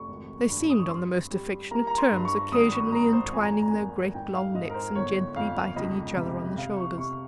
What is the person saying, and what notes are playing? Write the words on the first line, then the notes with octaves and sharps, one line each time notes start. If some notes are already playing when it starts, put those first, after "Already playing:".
They seemed on the most affectionate terms, occasionally entwining their great long necks and gently biting each other on the shoulders.
Already playing: F1 C#6
G#1
G2
D#6
C#6
C4 C6
G3
A#3 A#5
A#5
C6
G2
C#6
G#1 D#6
C#6
G#1 A#5
C5
F2 G#5
A#5
G#5
A#5
G#5
A#3
G#2 G5
F5
G#2 D#5
A#4
C5
G1 C#5
F2 F5
C#2 D#5
C3
C3 F5
C#6
C3 C#6